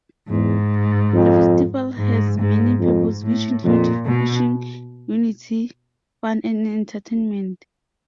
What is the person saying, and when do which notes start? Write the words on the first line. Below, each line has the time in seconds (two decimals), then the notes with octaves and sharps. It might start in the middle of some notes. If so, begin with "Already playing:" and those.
The festival has many purpose which include: for fishing, unity, fun and entertainment.
0.30 E2 G#2
1.13 F2
1.98 G#2
2.38 G#2
2.80 F2 G#2
3.22 A2
3.64 F2 A#2
4.06 B2